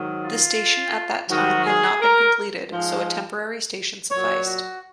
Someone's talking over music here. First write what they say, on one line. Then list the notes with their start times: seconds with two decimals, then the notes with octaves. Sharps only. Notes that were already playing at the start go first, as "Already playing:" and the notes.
The station at that time had not been completed so a temporary station sufficed.
Already playing: G#2 D#3 F#3
0.24 F4
1.29 G#2 D#3 F#3 F#4
1.64 G#4
2.00 A#4
2.70 G#2 F3 G#3
4.11 A#2 F#3 C#5
4.46 F#4